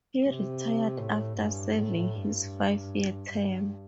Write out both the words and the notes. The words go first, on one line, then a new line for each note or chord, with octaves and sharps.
He retired after serving his five-year term.
C3
A2
G2
A2
G2
G2